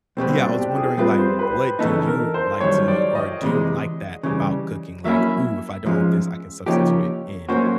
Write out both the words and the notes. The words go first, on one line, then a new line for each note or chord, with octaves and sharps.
Yeah, I was wondering, like, what do you like to or do you like that about cooking? Like, "Ooh, if I don't have this, I can substitute it in,
C2 B2 G3 B3 C4
D4
G4
G#4
G3 C4 F4 B4
C5
B4
C#3 E3 G#3 B3 D#4 A4
A#4
C5
F#2 D#3 G3 C#5
D5
D#5
D2 C3 E3 G#3
C#3 E3 G3
F#3 A#3 C#4 E4 E5
G#2 F3 G#3 C#4
C#3 F3 A#3 D#4 G4 C#5
A2 F#3 A#3 C#4 F#4 C5